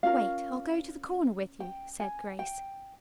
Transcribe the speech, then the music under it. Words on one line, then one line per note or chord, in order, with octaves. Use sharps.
"Wait, I'll go to the corner with you," said Grace.
C#4 F4 A#4 F5
G5
G#5
G5